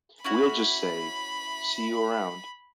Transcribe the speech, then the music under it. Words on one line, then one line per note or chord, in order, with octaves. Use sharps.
We'll just say, 'see you around.
C#4 E4 F#4 B5